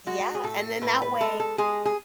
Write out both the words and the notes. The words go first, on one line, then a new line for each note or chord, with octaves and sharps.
Yeah, and then that way
G#3 F#4
G#4
A2 A4
A2 B4
B4
G#3 A4
A4
G#3 G#4
G#4